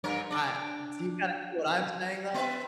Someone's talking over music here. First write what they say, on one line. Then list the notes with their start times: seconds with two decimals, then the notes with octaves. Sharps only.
I do you kinda see what I'm saying, though?
0.04 G2 A#4 C#5
0.31 D4 D5
2.34 B3 B4 E5